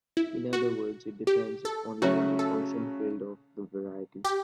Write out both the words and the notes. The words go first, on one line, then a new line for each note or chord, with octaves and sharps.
In other words, it depends only on the function field of the variety.
E4
F#4
G4
A4
C#3 F#3 A3 C#4 F#4
A4
G4